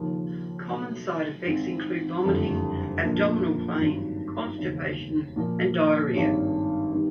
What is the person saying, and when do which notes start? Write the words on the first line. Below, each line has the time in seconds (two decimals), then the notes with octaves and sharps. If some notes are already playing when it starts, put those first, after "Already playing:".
Common side effects include vomiting, abdominal pain, constipation, and diarrhea.
Already playing: D#2 C#3 F3 A#3
0.69 B2 F#3 A3
1.46 G#1 G#2 E3 G#3 C4
2.25 F#1 F2 D3 G3
3.02 A#2 F3 A#3 D4 F4
3.80 G#1 G2 D#3 F#3
4.58 E1 D#2 C#3
5.36 A#2 F3 A#3
6.13 G#1 G2 D#3 G#3 C#4
6.92 D#3 G3 B3